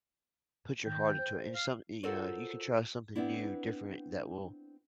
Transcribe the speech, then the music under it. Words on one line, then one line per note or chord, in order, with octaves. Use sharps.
put your heart into it, and some you know, you can try something new, different that will
D#3 G5
C5
F5
F4 F#4 A4 A#4 C5 C#5
B3 C4 D4 E4